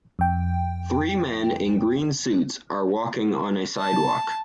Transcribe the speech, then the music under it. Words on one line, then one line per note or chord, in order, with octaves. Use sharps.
Three men in green suits are walking on a sidewalk.
F2 G5
A5